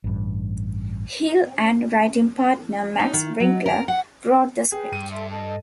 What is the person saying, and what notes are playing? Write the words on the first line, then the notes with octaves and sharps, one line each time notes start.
Hill and writing partner, Max Winkler, wrote the script.
A1 G2
D#4
D#3
F#3
A#4
F#5
G#4 B4 G5
G2 D#7
A4 E5 C6
A4 D#5 A5